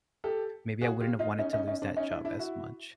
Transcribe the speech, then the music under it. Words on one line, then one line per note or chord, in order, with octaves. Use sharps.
maybe I wouldn't have wanted to lose that job as much.
G4 A4
F#4 G#4
F4 G4
D#4 F4
C#4 D#4
C#4 D#4
C#4 D#4
C4 D4
C#4 D#4
D4 E4
D4 E4
E4 F#4